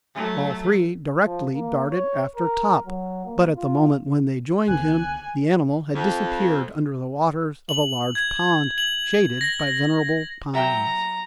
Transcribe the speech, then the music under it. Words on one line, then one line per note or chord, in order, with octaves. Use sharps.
All three directly darted after Top, but at the moment when they joined him the animal had disappeared under the waters of a large pond shaded by venerable pines.
F#3 A3
F3
A#3
C#5
A#4
F#3
A#3
F4
C2 D3 B3 G#5 F#6
F2
F#7
G#6
F#7
A#6
F#3 E5 G5 A#5